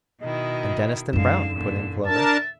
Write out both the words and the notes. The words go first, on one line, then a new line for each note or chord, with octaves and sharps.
"And Deniston Browne," put in Clover.
B2 D#3 E4 D#5
F#2 D3 G#3 D#4 F5 E7
E2 A#2 D3
D4 A#4 E5 A5 A6